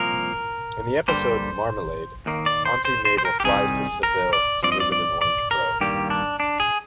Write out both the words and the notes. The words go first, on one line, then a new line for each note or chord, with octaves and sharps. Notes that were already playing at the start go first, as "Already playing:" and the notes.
In the episode "Marmalade" Auntie Mabel flies to Seville to visit an orange grove.
Already playing: C2 A#2 F3 A#3 A#4
G2 D3 G3 A#3 C5
D#2 D#3 A#3
D5
C5
C5
C5
C5
A#4
G4
C2 C3 D#3 G3 G#4
A#4
D5
G2 F3 C4 D5
D#5
D5
D5
D5
A#4
G2 D#3 G3 A#3 G4
D4
D4
G#4